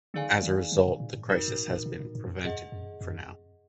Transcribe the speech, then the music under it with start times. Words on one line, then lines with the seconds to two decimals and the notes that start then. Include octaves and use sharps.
As a result the crisis has been prevented for now.
0.14 D3 D#4 G#4 D5 F5 G#5
0.43 D#3
0.72 D3
0.86 B2
1.00 A#2
1.15 G#2
1.28 F#2 D#4 F#4 A#4
1.48 G#2
1.68 A#2
1.86 B2
2.00 A#2
2.15 G#2
2.25 F2
2.29 F#2
2.44 F2 G#4 D#5 F#5
2.72 F#2
3.01 F2
3.09 F#2
3.16 F2